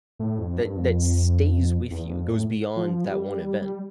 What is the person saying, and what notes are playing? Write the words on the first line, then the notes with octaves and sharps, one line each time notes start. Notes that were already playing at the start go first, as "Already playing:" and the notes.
That that stays with you, goes beyond that one event,
A2
F2
G2
F2
E2
F2
A2
F3
G3
G3